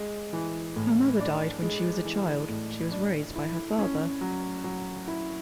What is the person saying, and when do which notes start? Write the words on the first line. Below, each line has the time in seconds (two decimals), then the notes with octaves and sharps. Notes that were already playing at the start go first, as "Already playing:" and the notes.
Her mother died when she was a child; she was raised by her father.
Already playing: G#3
0.33 E3
0.76 A2
1.20 D4
1.62 G#3
2.05 E3
2.49 A2
2.92 D4
3.36 E4
3.79 C#4
4.21 F#3
4.64 F#3
5.08 E4